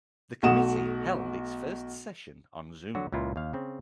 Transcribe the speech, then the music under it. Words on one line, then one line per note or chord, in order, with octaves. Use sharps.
The committee held its first session on Zoom.
B1 A3 F#4 F#5 D#6 E7
D3 F#3 F#4
C#2 A#2 E4 F4
D#2 F5
C#3 C4